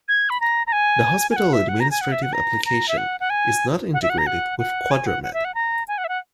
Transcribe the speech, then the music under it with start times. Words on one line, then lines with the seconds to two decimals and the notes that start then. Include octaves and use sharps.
The hospital administrative application is not integrated with QuadraMed.
0.08 G#6
0.30 B5
0.40 A#5
0.67 A#5
0.72 G#5
1.31 G#5
1.36 F#5
1.53 E5
1.68 F#5
1.80 A#5
1.91 G#5
2.01 F#5
2.12 E5
2.22 F#5
2.33 A#5
2.65 A#5
2.88 E5
2.97 F#5
3.20 F#5
3.30 G#5
3.94 F#5
4.02 E5
4.10 F#5
4.18 A#5
4.26 F#5
4.59 F#5
4.91 G#5
5.06 F#5
5.23 F#5
5.33 E5
5.45 F#5
5.54 A#5
5.88 G#5
5.98 F#5
6.04 E5
6.09 F#5